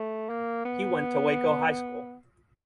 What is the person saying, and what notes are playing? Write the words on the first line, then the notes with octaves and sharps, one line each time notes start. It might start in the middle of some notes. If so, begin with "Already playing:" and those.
He went to Waco High School.
Already playing: A3
A#3
B3